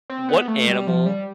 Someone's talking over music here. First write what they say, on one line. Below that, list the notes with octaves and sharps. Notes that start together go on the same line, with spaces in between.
What animal,
C4
B3
A3
G3
F3
G3